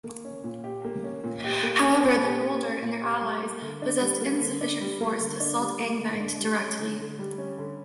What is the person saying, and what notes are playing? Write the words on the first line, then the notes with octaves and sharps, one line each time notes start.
However, the Noldor and their allies possessed insufficient force to assault Angband directly.
A#3
C#4
A#2
G4
A#3
C#4
A#2
G4
A#3
C#4
A#2
G4
A#3
C#4
A#2
G4
G3
A#3
D3
D4
G3
A#3
D3
D4
G3
A#3
D3
D4
G3
A#3
D3
D4
G3
C#4
D3
D3
G3
C#4
D3